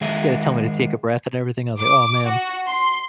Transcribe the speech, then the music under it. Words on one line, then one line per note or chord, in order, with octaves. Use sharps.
he had to tell me to take a breath and everything, I was like, "Oh, man."
D#3 G#3 E5
D6
F#4
C6